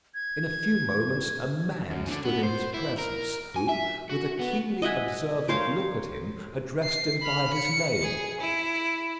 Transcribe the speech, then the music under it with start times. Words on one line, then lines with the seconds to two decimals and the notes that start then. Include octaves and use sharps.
In a few moments, a man stood in his presence, who, with a keenly observant look at him, addressed him by his name.
0.14 G#6
1.90 F#2
2.08 D3
2.25 B3
2.43 C5
2.74 E4
2.99 A#4
3.56 G#5
3.69 E5
4.10 F#4
4.39 B3
4.82 D#5 E5 F#5 G#5
5.48 A#4 C5 C#5 F5
6.83 C7
7.22 B5 F6
7.54 C#7
8.02 G#4
8.41 E4